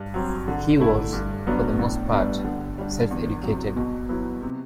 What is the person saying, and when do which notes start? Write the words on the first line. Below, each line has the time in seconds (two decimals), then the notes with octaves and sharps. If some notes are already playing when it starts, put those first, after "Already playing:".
He was, for the most part, self-educated.
Already playing: G2
0.14 F#3 C4
0.48 D3
0.80 A3 E4
1.13 G2
1.46 F#3 B3 D4
1.79 A2
2.12 G3 B3 D4
2.44 D3
2.78 G3 D4
3.11 E2
3.43 C3 F#3
3.76 B2
4.09 F#3 B3 E4
4.42 C3